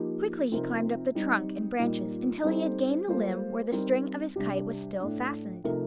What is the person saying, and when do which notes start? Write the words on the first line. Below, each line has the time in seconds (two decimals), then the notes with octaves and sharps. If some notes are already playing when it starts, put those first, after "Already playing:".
Quickly he climbed up the trunk and branches until he had gained the limb where the string of his kite was still fastened.
Already playing: F3 A#3 D#4 G4
0.51 C3 F3 C4 D#4 A#4
1.15 G3 C4 D#4
1.79 A#2 G3 A#3 D#4
2.43 G3 C4 D#4 A4 C5
3.08 G3 A#3 F4 A4 C5
3.72 G3 C4 D#4 A#4
4.36 C3 G3 D4 G4
5.00 A2 A3 D4
5.64 C3 F3 A3 D#4 A#4